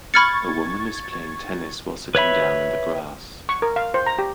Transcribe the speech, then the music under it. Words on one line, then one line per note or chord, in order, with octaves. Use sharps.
A woman is playing tennis while sitting down in the grass.
B5 C#6 F6 G#6 A6 C#7
B4 C#5 E5 B5
C#6
A#4
F5
C5
A#5
G4